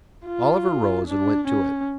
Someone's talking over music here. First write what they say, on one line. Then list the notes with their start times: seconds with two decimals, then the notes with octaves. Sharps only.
Oliver rose and went to it.
0.27 F4
1.07 D4
1.47 C#4